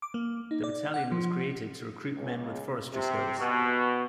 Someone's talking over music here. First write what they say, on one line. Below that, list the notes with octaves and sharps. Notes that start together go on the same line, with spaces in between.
The battalion was created to recruit men with forestry skills.
D6
A#3
D#4
D5
F#5
F3
C#2
C3
B2